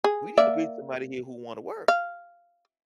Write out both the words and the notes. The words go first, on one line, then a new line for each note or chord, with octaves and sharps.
We need to bring somebody here who wanna work.
G#4
A#3 D5 E5
F5